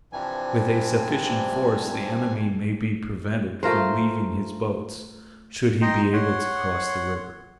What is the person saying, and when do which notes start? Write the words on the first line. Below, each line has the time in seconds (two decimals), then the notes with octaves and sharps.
With a sufficient force, the enemy may be prevented from leaving his boats, should he be able to cross the river.
0.13 G2 C3 E3 F3 G3 G#5
3.63 A3 F4 A#4 C5
5.82 D#4 D#5 G5 A#5 C6
6.13 C#5 F#5 C6